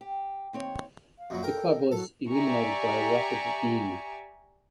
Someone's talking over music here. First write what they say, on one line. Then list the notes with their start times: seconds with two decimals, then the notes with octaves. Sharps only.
The club was eliminated by Rapid Wien.
0.01 G4
0.53 D#2 C4 C#5
1.19 F5
1.30 F#2 A#2 F#3
1.43 A4 A#4 G5
1.92 F#3 A4
2.29 G4 D5 E5 G#5 A#5 C#6